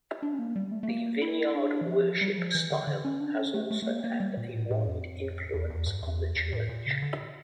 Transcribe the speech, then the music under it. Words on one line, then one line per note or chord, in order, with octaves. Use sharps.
The Vineyard worship style has also had a wide influence on the church.
D4
C#4
A#3
G3
A3
A3
A#3
E4
D4
E3
F3
G3
F3
E3
D3
D3
C#4
D4
C#4
A3
A3
A3
A#3
A#3
G3
A#2
A2
A2
F2
E2
E2
G2
E2
F2
E2
E2
A2
A#2
C#3
D3